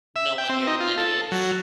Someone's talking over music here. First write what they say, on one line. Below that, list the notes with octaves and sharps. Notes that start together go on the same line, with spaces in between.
knowing your lineage,
E5
G5
C4
D#4
F4
A4
F#3